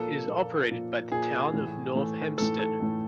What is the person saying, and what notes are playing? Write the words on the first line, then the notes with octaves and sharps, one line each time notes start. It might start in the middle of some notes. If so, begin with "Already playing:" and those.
It is operated by the Town of North Hempstead.
Already playing: A#2 F3 A#3 A4
A#2 F3 A#3
A#2 F3 A#3
A#2 F3 A#3 G#4
A2 E3 A3
A2 E3 A3
A2 E3 A3 A4
A4
A2 E3 A3